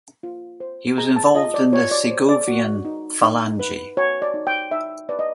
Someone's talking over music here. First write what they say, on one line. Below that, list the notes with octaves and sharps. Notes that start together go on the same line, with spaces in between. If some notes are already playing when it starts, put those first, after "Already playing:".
He was involved in the Segovian Falange.
F4
C5
G#4 A#5
A5
F4 D#5
D5
F4 C#5
D5
C5
D5
F#4
D#4
D#4
B4
F#4 C#5
D5
D#4
G5
D#4 E5
B4 D5
D#5